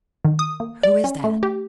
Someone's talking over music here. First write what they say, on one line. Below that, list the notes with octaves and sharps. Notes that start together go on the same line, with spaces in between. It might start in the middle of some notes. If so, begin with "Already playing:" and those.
"Who is that?"
D#3
D#6
A#3
D5
C#4
A3
G4